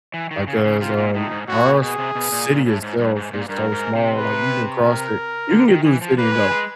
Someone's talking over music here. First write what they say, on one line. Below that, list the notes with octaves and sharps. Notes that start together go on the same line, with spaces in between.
like, 'cause, um, our c city itself is so small, like, you can cross it you can get through the city in about,
E3
D#3
C#3
C#3
C3 F4
A#2
A2 D#4
G#2
A2 F#4
A#2
B2 G#4
C3
B2
A#2
A#2
A2
G#2
G2
G#2
A#2
G2 A#4
G#2
C3
B4
A#4
D3
D#3
E3
F3
A#3 B4
G#3
G#3